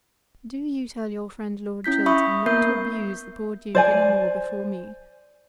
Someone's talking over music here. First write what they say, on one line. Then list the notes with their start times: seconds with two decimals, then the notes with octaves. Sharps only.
Do you tell your friend Lord Chiltern not to abuse the poor Duke any more before me.
1.84 C#4 E4 G6 B6
2.06 E5 B5 C#6 D#6
2.46 A#3 B3 A#4 E5 G6 C7
3.75 C5 D5 G#5